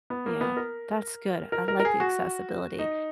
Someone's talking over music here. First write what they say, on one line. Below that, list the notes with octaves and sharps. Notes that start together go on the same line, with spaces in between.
Yeah, that's good. I like the accessibility.
B3
A#3
B3
A#4
A#4
A#4
A#4
G#4
F#4
D#4